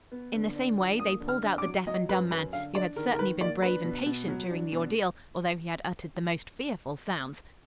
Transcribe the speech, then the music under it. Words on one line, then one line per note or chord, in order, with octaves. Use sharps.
In the same way they pulled out the deaf and dumb man, who had certainly been brave and patient during the ordeal, although he had uttered the most fearful sounds.
B3
D3
D4
F3
A#3 D#6
D3
F6
D4
D6
F#3
F#3 D#5
F#2 B4
F#2 B4
D3 F5
D4 D5
D#3 A#4
A#4
D#3 B4
A#3 D5
D4 B4
B2
B2
F#3
D4
B2